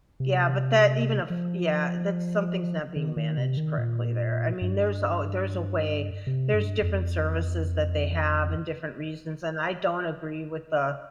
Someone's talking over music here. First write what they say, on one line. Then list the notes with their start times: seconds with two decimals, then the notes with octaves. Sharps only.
Yeah, but that, even if yeah, that's something's not being managed correctly there. I mean, there's al there's a way, there's different services that they have and different reasons, and I don't agree with the
0.20 C3
1.30 F3
2.96 D#3
3.16 D#3
3.38 C3
3.57 D#3
3.78 A#2
4.62 G2
6.27 C3
6.54 G2
6.82 F2